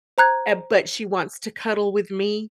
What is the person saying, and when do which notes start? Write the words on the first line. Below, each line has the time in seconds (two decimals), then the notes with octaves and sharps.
Eh, but she wants to cuddle with me.
0.18 C5 A#5 F#6 G#6